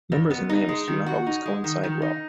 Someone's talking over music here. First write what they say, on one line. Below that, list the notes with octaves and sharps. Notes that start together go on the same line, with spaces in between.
Numbers and names do not always coincide well.
F2
B3
D#4
G#3
D#3
F#4
D#4
G#3
D#3
D#3
D#4